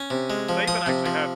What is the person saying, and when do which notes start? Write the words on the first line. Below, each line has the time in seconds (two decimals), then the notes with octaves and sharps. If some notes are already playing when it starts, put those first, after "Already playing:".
Saban actually had
Already playing: C#4
0.10 C3
0.30 G#3
0.49 F3
0.68 F3 D#6
0.86 C3
1.06 F3